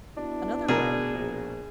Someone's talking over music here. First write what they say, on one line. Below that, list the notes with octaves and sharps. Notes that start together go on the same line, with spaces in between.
Another Way.
B3 D4 E4 F#4
B2 G#4 A#4
A#1